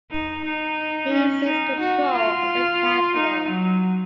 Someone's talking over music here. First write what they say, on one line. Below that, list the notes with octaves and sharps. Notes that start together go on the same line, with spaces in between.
He seized control of the capital.
D#4
D#4
C#4
D#4
F#4
F4
D#4
F#3